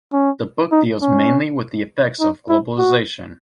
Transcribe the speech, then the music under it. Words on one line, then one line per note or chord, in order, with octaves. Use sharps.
The book deals mainly with the effects of globalization.
C#4
D#4
C#4
D#4
E4
F#4